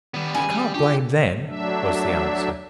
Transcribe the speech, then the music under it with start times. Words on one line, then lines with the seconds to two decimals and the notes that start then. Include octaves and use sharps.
"You can't blame them," was the answer.
0.14 D#3 G3 B3
0.35 C#4 G#4 B5
0.50 G3
0.74 D4 F4 G4 A5
1.46 F#3 A3 D4 E5